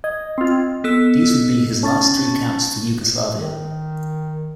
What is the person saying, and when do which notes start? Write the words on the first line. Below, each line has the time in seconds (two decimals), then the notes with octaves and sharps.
These would be his last three caps for Yugoslavia.
0.04 D#5 G#6
0.38 C4 F4
0.84 B3 A4 E6
1.83 C#4 A5 C#6 A6
3.36 D#3